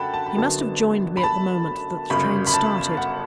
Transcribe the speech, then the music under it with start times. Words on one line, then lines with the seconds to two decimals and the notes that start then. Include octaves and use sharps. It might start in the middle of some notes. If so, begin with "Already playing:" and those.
He must have joined me at the moment that the train started.
Already playing: F#2 D3 F#5 G5 A5 B5
0.14 A5
0.26 B5
0.36 G1 F#2 D3 F#3 B3 A5
1.17 B5
1.23 A5
2.10 G1 F#2 C#3 B5
2.47 B5
2.54 A5
2.97 F#5